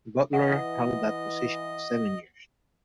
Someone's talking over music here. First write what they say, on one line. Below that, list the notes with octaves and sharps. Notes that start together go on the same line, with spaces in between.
Butler held that position for seven years.
E3 D#5 F#5